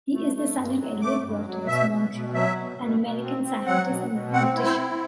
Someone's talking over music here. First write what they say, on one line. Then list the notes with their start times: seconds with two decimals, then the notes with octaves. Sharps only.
He is the son of Elliott Waters Montroll, an American scientist and mathematician.
0.13 A3
0.35 A3
0.57 G2
0.79 F#3
1.01 A3 D6
1.23 G2
1.45 F#3
1.67 B2 E5
1.90 B2
2.11 B2
2.34 F#3 E5
2.56 B2
2.78 B2
3.00 B2
3.22 C4
3.44 C4
3.66 F#3 F#5
3.88 B2
4.11 B2
4.32 C4 F#5
4.54 E4
4.66 C5
4.77 C4